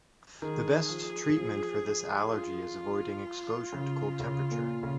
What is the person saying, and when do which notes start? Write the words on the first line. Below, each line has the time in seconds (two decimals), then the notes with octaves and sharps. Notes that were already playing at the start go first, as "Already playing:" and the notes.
The best treatment for this allergy is avoiding exposure to cold temperature.
0.42 D#3 G#4
0.89 F3
1.37 F3
2.31 F4
3.73 C#3
4.20 C#3
4.51 A#2
4.83 C#3